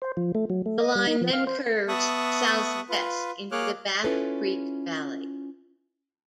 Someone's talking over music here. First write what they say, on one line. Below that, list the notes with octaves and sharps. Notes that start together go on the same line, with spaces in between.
The line then curves southwest into the Back Creek valley.
C5
F3
A3
F#3
A3
D#5
G3
D#4
F3
F5
C5
B3 E5 A5 C#6 D#6 F#6
F4 B4
A#3 G#4 C#5 D6 F6 F#6
C#4 E4 F4 A4 B4 C#5